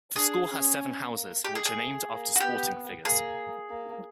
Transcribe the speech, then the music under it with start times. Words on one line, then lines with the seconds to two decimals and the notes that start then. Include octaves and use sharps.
The school has seven houses, which are named after sporting figures.
0.16 D4 G#4
0.49 C#4
1.13 A#3
1.44 G#3 G4
1.55 G#4
1.65 G#4
1.77 A3
2.09 A#3
2.36 F#4
2.40 B3 G4
3.05 A#3 G#4
3.69 A#3